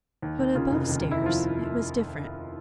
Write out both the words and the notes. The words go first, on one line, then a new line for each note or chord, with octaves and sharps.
But above-stairs it was different.
D#2
D#2
C#3 F4
F1
D#2
F1
E4
F3 F4